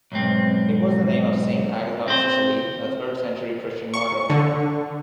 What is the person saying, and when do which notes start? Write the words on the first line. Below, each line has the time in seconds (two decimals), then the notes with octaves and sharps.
It was the name of Saint Agatha of Sicily, a third-century Christian martyr.
0.12 B1 G#2 C4
2.08 C4 C5
3.94 C#6
4.30 D3